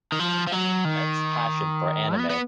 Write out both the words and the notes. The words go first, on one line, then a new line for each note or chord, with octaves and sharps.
He has an immense passion for anime.
D#3
F3
F3
F#3
D#3
B3
B3